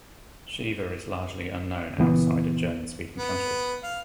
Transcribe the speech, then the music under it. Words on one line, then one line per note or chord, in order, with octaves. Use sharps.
Shiva is largely unknown outside of German-speaking countries.
C#2 A#2 E3 B3
B3
F5